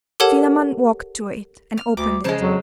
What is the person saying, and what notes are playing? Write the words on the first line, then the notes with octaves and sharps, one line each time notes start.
Philammon walked to it, and opened it.
G4 A4 A#4 C#5 F#5 A5
F6
D2 D6
C#3 F3 G#3 C5 A5
F2 F#3